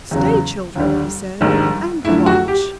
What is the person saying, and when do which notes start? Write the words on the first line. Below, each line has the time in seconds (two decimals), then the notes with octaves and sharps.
"Stay, children," he said, "and watch."
0.11 E2 C#3 F#3
0.76 D#2 D3 G3
1.41 A#1 G#2 D#3 G3
2.05 F#2 D3 F3 A3 E4
2.26 F#4
2.48 G4